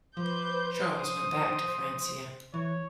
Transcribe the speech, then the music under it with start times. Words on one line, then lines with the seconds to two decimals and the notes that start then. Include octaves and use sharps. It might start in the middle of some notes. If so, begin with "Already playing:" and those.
Charles went back to Francia.
0.17 F3 B4 C5 D6 G6
0.80 C5 D#6
2.54 E3 C#5